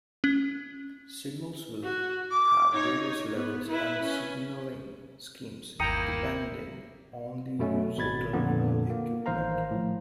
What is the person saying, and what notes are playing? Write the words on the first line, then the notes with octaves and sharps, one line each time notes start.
Signals will have various levels and signaling schemes depending on the user terminal equipment.
C#4
F#4
D6
D#4 C#5
B3
E4 B4
C#4
G1 D#2 A#3 E4 G5 A#5 D#6 C#7
F#2 B2 A3 C#4
G#1 B2 B5 G#6 A6
F2 A#2 D3 B3
A#3
A1 D#3 C5 F5 A#5
A2 F3